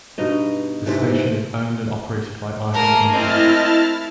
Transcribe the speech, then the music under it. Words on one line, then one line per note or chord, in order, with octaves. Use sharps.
The station is owned and operated by iHeartMedia.
G2 B2 D#4 D#5
G#2 C3 E3 A3
A3 A#3 G#4 A#4 A5
C4 E4 D#5 A5 F6